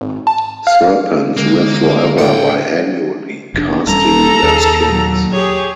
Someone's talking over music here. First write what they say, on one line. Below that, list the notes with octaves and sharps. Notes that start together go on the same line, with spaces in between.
Serpents live forever by annually casting their skins.
G#1
A5
F5
D3 G#3 A#3
A2 A3 F4 F#5 G5
F1 D4
E1 G3 C#4 A4 A#5
D#2 G#4
A#2 F#3
G4 G#4 C#5